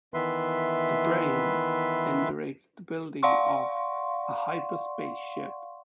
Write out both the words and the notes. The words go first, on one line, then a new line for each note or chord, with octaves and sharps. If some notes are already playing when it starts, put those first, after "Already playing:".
"The Brain" then directs the building of a hyperspace ship.
D#3 E3 B3 B4 E5 C6
D5 F5 F#5 C6 C#6